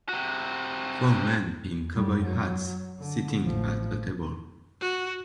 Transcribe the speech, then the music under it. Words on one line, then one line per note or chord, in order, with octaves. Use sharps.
Four men in cowboy hats sitting at a table.
C3 F#4
F#2 G3
F#3
D3
A1 F3
F#4